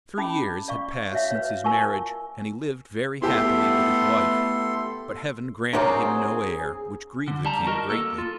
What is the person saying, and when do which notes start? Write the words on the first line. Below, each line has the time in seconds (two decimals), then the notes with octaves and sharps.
Three years had passed since his marriage, and he lived very happily with his wife, but Heaven granted him no heir, which grieved the King greatly.
0.18 C#4 G#4 A5 B5
0.68 D5 F5 C#6
1.12 F#4 C#5 E5 F5
1.31 B4 C#5
1.64 F4 A#4 G#5 A5 C#6
3.22 A3 B3 E4 G4 A4 A5 C6
5.73 C3 F#3 C4 D4 G#4 A#4 D6
7.28 D3
7.45 G3 A5 A#5
7.67 F#4 A#4 D#5
7.90 A#3 A4
8.18 F4